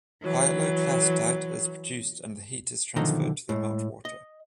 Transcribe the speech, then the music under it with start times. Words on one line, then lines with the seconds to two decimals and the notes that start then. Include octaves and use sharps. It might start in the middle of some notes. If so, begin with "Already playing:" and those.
Hyaloclastite is produced and the heat is transferred to the meltwater.
0.21 E3 F#3
2.96 B1 D3 D#3 F3 D#5 A#5
3.49 A2 G#3
4.05 D#5